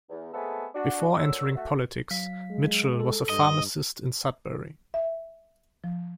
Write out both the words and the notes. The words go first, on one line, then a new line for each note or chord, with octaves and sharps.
Before entering politics, Mitchell was a pharmacist in Sudbury.
E2
G#3 A3 B3 C4 G#4 A4
D4 F#4
F#2 D3 F#3 E6
A3 F#4
F#3 F5 B6
G#3
A4
G2 D#5
E5
F3